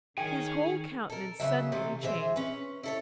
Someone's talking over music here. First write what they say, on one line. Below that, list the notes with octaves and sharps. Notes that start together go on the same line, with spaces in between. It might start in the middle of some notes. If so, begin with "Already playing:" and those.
His whole countenance suddenly changed.
D#3 G#4 C#5 G5 G#5
A4 A#4
C#3 E3 F#3 E5
C3 E3 A3
E3 G#4 C5 E5
C#4 B4
E4 A4 C#5